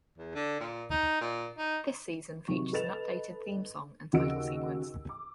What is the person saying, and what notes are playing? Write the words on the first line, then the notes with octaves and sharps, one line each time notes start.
This season features an updated theme song and title sequence.
E2
D3
A#2
D#4
A#2
D#4
C3 D#3 F#3 C#6
A4 B4 D#5 A6 E7 F7
D#2 C#3 F#4 D#5 E6 D7
D6